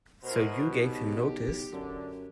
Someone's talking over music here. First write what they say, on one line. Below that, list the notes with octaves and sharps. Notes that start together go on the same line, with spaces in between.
So you gave him notice?
B2 E4 A#4 C5
B1 G4
F#2 D3